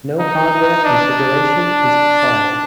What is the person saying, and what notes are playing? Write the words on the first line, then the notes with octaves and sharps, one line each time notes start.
No hardware configuration is required.
D#4
D4